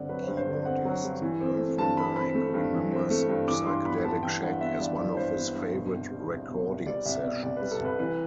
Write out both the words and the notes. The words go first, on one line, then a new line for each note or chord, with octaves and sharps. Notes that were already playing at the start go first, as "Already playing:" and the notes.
Keyboardist Earl Van Dyke remembers "Psychedelic Shack" as one of his favorite recording sessions.
Already playing: G2 D3 C4 D5 F#5
F#3 B4
G2 C5
C5
D3 D5
C4 F#5
F#3
G2
E3
C4
A3
G2 A5
E3 B5
C4 B5
A3
G2
E3
C4
A3
G2
E3 D6
G2 C6
B3 B5
G2 A5
E3 G5
G2 F#5
B3 E5
G2 D5
E3 D5
G2 C5
B3
G2
B2
C2
G3
C2
B2
C2
G3 D5
C2 E5
B2 D5
C2 D5
B4
G3
A4
C2 B4
E3 B4